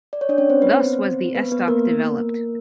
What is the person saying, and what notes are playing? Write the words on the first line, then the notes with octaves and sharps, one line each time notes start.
Thus was the estoc developed.
D5
C#5
D4 D5
C#4 C#5
C4 C5
B3 B4
C4 C5
B3 B4
B3 B4
A#3 A#4